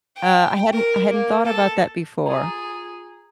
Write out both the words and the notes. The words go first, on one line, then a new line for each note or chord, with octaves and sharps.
Uh, I hadn't I hadn't thought about that before.
G5
A#4
A#3
A4
F4 G#4 A#5